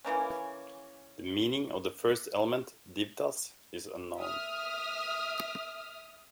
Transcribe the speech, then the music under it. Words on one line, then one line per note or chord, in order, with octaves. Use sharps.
The meaning of the first element "divtas" is unknown.
C#3 E3 A#3 C#4
E5 D#6 F6